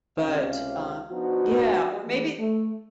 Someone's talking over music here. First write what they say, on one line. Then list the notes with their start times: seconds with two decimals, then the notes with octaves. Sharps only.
But, uh Yeah, or maybe
0.21 C#2 C3 C#4 F5
1.11 F3 B3 D4 D#4 F#4
2.05 E3 G3 A3 A#3
2.39 A3